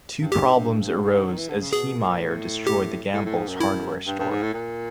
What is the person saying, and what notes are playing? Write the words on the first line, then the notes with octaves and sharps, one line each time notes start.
Two problems arose as Heemeyer destroyed the Gambles hardware store.
G2
G#2 G4
G2
G2
G#2
D3
D#3
E3
D3
C#3
B2 G#4
A#2
A2
G4
A2
A2
G#2
F#2
E4
G2
G2
G#2
A2
A#2